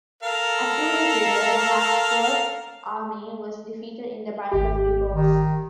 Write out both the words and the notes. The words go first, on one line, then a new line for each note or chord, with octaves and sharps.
A few days later the Habsburg army was defeated in the Battle of Lugos.
A4 A#4 F5
G#1 G4
D#3